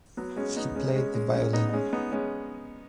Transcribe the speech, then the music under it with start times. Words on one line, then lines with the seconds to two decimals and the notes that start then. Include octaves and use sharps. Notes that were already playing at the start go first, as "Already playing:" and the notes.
He played the violin.
0.17 F#3 B3
0.36 G#3 C#4
0.56 B3 D#4
0.75 G#3 C#4
0.96 G#3 C#4
1.14 G#3 C#4
1.34 G#3 C#4
1.53 B3 D#4
1.69 D#4
1.73 G#3 C#4
1.92 B3 D#4
2.12 G#3 C#4